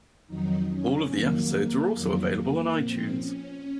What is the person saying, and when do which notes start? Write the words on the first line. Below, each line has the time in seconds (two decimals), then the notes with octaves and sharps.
All of the episodes are also available on iTunes.
0.27 F2 D#3 F#3 D#4
0.69 C#4
1.10 F2 D#3 F#3 A#3
1.93 F2 D#3 F#3
2.34 A#3
2.76 A#2 F3 C4
3.16 C#4